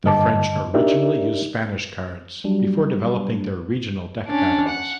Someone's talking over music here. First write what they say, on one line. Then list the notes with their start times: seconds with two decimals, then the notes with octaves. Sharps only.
The French originally used Spanish cards before developing their regional deck patterns.
0.04 G2 D3 D#5 A5 D6
0.74 D4 D#4 G4 A#4 D5 E5
2.44 F#3 G3 D4
4.28 C#4 D4
4.68 F#5